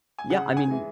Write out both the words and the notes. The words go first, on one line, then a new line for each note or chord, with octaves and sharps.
Yeah, I mean
G#5
C#3 F#5
F#5
G#5
E3 G#3